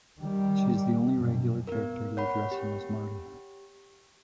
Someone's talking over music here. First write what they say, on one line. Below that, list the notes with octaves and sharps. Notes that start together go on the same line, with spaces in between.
She is the only regular character to address him as Marty.
D#3 G3
F#2 B2
B3 A#4
C#5 F#5 B5
G4